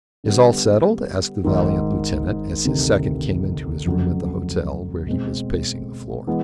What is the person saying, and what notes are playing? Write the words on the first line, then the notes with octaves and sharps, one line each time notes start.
"Is all settled?" asked the valiant lieutenant, as his second came into his room at the hotel, where he was pacing the floor.
D3 G3 B3
G#1 G#2 D#3
D2 C3 D#3
F2 C#3 F#3 A3
B2 G#3 C4
E3 G#3 B3